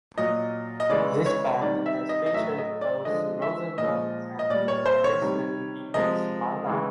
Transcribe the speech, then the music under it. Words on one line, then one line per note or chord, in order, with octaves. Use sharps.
This band has featured both Rosenberg and Harrison in its line-up.
A#2 F#3 D#5
D#5
C#3 E3 G#3 D5
C#5
C3 D#3 G3 D5
E5
D#5
D#5
A2 F#3 E5
D#5
D5
D3 F3 G#3 D#5
E5
A#2 F3 G#3 D#5
D#5
A#2 G3 D5
C#5
C5
C#5
C3 D#3 G3
C3 F3 G#3 D#5
C#3 E3 G#3